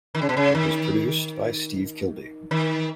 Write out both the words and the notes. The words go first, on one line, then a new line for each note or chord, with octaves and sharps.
It was produced by Steve Kilbey.
D#3
C#3
B2
C#3
D#3
D#3